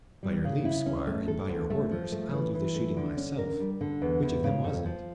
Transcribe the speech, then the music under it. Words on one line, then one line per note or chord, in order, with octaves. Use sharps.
"By your leave, Squire, and by your orders, I'll do the shooting myself. Which of them was it?"
G3
C#3
E4
C#4
A3
A4
D2
A3
F3
A3
E3
E3
A3
D3
C#4
A#4
G3
D3
E2
E2
C#3
F2
F3